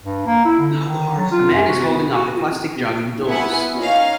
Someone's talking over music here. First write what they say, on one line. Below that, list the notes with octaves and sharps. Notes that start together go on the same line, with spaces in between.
A man is holding up a plastic jug indoors.
G2
A#3
E4
D3
D#3
F#3
F4
F#2
F#4
B3
F#4
B3 E4 F#5 G#5
C#4 D#4 F5